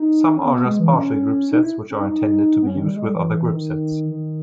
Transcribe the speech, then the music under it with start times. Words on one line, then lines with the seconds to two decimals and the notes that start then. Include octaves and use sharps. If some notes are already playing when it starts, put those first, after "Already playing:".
Some are just partial groupsets which are intended to be used with other groupsets.
Already playing: D#4
0.36 C#4
0.45 B3
0.56 B3
0.65 G#3
0.80 E3
0.93 C#4
1.51 D#4
1.61 E4
1.90 C#4
1.99 D#4
2.09 D#4
2.62 B3
2.67 C#4
2.76 D#3
2.86 G3
2.96 G#3
3.05 G3
3.15 E3
3.53 D#3
4.11 D#3